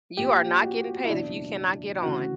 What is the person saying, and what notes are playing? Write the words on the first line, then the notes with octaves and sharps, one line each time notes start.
You are not getting paid if you cannot get on.
A#1 A#2 G4
F#4
E4
F#1 E2 B2 D4
D2 C#3 E3 F#4